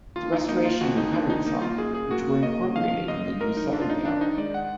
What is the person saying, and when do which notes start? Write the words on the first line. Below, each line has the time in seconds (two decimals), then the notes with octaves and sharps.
The restoration recovered some, which were incorporated in the new southern gallery.
0.16 D#2 F4
0.33 D#4
0.48 A#3 D#4
0.65 F4
0.81 D#2 F#4
0.97 D#4
1.13 D#3 D4
1.30 D#4
1.46 A#3 D#4
1.62 F4
1.78 F#2 G#4
1.94 G#4
2.11 A#3 F#4
2.43 A#3 D#5
2.76 F3 F5
3.08 F#2 D#5
3.40 F#2 A#4
3.57 D#4
3.72 F#2 D4
3.82 F4
3.90 D#4
4.05 D#3 D4
4.21 D#4
4.38 G#3 D5
4.54 F#5